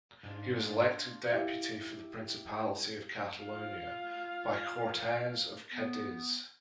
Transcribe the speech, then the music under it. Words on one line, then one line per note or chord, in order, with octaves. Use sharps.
He was elected deputy for the Principality of Catalonia by the Cortes of Cadiz.
G#2 D4 F4
E4 G4 E5 F5
F4 F5
B3